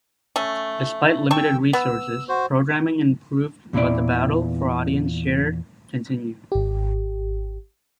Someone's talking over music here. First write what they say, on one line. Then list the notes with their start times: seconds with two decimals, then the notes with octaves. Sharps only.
Despite limited resources, programming improved but the battle for audience share continued.
0.36 A3 C#4
1.31 G5 A5 C#6 E6
1.73 B3 E6
2.29 F#4 C5
3.73 E2 A#2 E3 E4 D5
6.52 G#1 G4